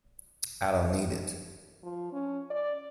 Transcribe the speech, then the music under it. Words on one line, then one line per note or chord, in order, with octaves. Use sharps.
I don't need it.
F3
C#4
D5